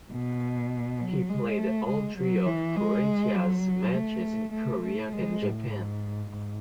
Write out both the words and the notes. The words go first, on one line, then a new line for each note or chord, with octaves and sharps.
He played all three of Croatia's matches in Korea and Japan.
B2
F#3
G#3
A3
G#3
F#3
E3
G#3
F#3
A3
A3
A3
G#3
A2
G#2
G#2